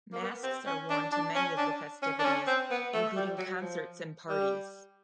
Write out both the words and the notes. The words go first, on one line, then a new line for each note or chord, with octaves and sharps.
Masks are worn to many of the festivities, including concerts and parties.
A#3
B3
C4
C#4
D4
D4
C#4
D4
C#4
D4
C#4
C4
B3
A3
G3
F#3
F3
G3